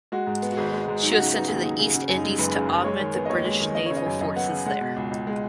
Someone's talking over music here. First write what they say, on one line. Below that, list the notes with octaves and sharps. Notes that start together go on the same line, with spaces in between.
She was sent to the East Indies to augment the British naval forces there.
G#3 F#4
G#2
B3
F#4
G#1 G#4
G#3
G#2
F#3 D#4
F#4
C#3 D#4
F#4
B3 D#4
D#2 G#4
F#3 D#4
C#3 G#4
C#3 F#4
F#2
D#4
G#3
F#1 B4
C#3
F#2
G#3 C#5
D#3
B3
D#5
D#2 C#5
G#3
D#3
B3 D#5
C#3 C#5
D#5
F#2
F#2 D#5
B3 F#5
C#3
G#3 F#5
B2
C#2
C#2
G#3